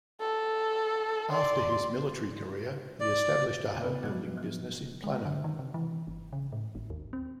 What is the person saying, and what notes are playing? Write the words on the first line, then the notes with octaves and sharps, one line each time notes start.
After his military career, he established a homebuilding business in Plano.
A4
D5 C6
D5
B3
B2 F3 F#3 G#3
F3 F#3
G#3
D3
D#3
C3
E3
G1
C#3
A2
G#1
D#2
C4